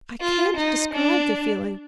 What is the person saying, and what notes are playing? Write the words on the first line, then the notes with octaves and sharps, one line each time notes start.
I can't describe the feeling.
F4
D#4
D4